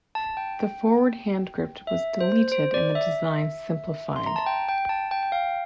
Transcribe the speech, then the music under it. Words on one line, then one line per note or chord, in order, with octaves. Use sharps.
The forward hand grip was deleted, and the design simplified.
A5
G5
E5
C5
C5
D5
E5
C6
A#5
A5
G5
G5
A5
G5
G5
F5